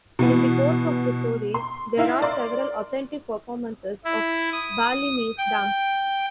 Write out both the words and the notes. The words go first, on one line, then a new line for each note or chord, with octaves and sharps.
In the course of the story there are several authentic performances of Balinese dance.
B2 E3 B3
C6
D#4 E4 E5 F5
A#4 D5 C6
E4
D#6
G5